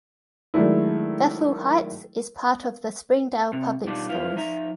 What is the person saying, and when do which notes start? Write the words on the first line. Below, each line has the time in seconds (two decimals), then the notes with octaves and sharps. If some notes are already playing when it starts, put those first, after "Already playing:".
Bethel Heights is part of the Springdale Public Schools.
0.54 D#3 F#3 G#3 A3 D4 E4
3.53 C3
3.87 B2 G3 D4 D#4 F4
4.09 E4 F4 B4 C5 F5
4.36 F3 D#4 E5 A#5